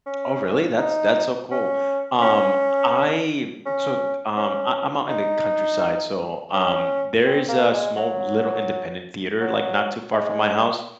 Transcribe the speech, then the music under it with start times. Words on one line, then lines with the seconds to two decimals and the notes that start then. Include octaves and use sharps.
Oh, really? That's that's so cool. Um, I so, um I I'm out in the countryside, so, um, there is a small little independent theater, like, not too far from my house.
0.07 C#4
0.78 D#4
1.51 C#4
2.22 C#4
3.66 C#4
4.37 C#4
5.09 D#4
6.54 C#4
7.25 C4
7.48 A#3
7.73 G#3
7.97 F#3
9.41 F#3
10.12 G#3